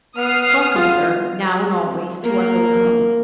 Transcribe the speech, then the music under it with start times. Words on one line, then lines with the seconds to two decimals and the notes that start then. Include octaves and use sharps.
Welcome, sir, now and always, to our little home.
0.17 B3 D#6 F6 C7
0.76 F4
2.23 A#3 A#4